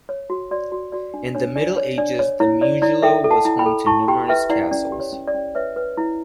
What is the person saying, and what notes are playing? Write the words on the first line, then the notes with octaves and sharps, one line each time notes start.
In the Middle Ages the Mugello was home to numerous castles.
C#5
F#4
F#4 D5
F#4
F#4 D5
D4
D4 C#5
D4 D5
C#5
D4 D5
C#5
E4 C#5
C#5 D5
E4 D5
A4 E5 G5
A4
F#5 A5
E4
G5 B5
A4
E4 A5 C#6
G4 G5 B5
B4 E5 G5
E4 D5 F#5
C#4 D5
G4
C#5
C#4
D5
C#4
B4 C#5 E5
B4
E4